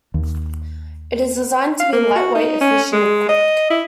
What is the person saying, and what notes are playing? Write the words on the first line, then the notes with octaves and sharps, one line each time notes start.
It is designed to be light-weight, efficient and quick.
D#2
F5
A#3
F#4
D#4
C#4
G#3
D#5
E4